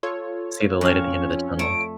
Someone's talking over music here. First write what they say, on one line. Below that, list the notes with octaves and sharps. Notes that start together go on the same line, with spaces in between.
See the light at the end of the tunnel.
F4 A4 C#5
F2 C#4 F5 C#6
A3 D7